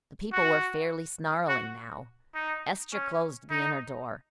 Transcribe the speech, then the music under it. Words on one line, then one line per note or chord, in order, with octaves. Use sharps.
The people were fairly snarling now. Estra closed the inner door.
F#4
F#4
D#4
C#4
D#4